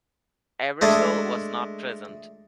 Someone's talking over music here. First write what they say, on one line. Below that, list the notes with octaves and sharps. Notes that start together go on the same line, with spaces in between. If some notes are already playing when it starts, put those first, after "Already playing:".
Ebersol was not present.
G#3 A3 D4